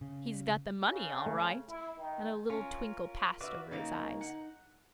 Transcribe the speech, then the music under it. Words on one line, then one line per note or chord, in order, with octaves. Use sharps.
"He's got the money, all right," and a little twinkle passed over his eyes.
C#3
C#3
A3
E4
D#3
C#4 F4 A#4
F#4 B4 D5 E5 F5
C#3 F#3 A#3 D#4
F#5